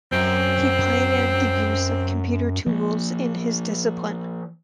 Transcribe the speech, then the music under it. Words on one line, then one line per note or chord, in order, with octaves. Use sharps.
He pioneered the use of computer tools in his discipline.
F#2 C4
F3 A#3